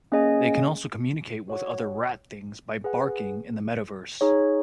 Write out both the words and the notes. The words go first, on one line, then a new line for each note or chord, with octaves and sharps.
They can also communicate with other Rat Things by "barking" in the Metaverse.
A#3 C#4 G#4 D#5 G#5
F#4 C#5 F#5
G#4 B4 F#5
D#4 G#4 C#5